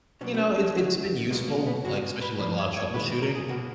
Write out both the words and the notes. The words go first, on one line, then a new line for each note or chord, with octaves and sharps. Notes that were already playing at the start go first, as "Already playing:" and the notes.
you know, it's it's been useful, like, especially, like, a lot of troubleshooting,
B2 F#3 A#3 C#4
B3
C#4
C#4
C#3 F#3 A#3
B2 G#3 A#3
A#3
B3
C#3 G#3 F#4
B4
A#2 F3 A#3 B4
C#5
C#5
D#3 G#3 B4
A#4
G#4
B2 A#3 F#4